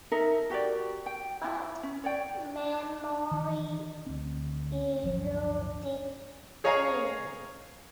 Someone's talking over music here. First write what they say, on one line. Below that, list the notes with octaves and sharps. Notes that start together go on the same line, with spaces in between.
But memory eluded me.
D#4 A4 A#4 E5
F#4 G4 A#4 D5
G5
E4
C#4
C#5 D5 G5
D#3 E3
D2 C4
D1 G1 F3 F#3
G#4 C#5 D#5 F5 G#5 A#5